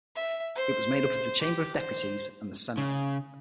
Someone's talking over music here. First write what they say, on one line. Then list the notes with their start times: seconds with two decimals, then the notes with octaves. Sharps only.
It was made up of the Chamber of Deputies and the Senate.
0.16 E5
0.56 C5
1.42 G4
1.76 C5
2.78 C#3